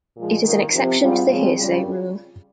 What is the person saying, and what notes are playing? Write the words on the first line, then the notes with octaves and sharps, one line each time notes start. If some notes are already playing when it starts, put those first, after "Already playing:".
It is an exception to the hearsay rule.
A#2 F3 G#3
D#3 A#3 D#4
C3 F3 C4
G#2 G3 C4 F4
C#3 F3 G#3 C4
C#3 G3 C#4 F4